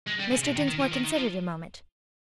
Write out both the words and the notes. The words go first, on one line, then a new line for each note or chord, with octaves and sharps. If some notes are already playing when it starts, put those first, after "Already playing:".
Mr. Dinsmore considered a moment.
G#3
G3
C#3
C3
D#3
D#3
F3
D#3
D#3
F3